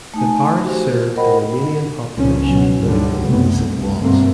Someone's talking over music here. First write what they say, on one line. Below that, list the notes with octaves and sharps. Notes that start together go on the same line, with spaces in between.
The parish served the Romanian population living below the city walls.
A3 D#4 G#5
F#4 G4 C5
A#4 C5 D#5 F#5 G5 B5
C#2 A#2 F3 C#4
B2 F#3
D2 G#2 D3 F#3 G3
B1 F#2 C3 A3 B3
C2 F#2
G2 B2 D3 A3 A#3 C4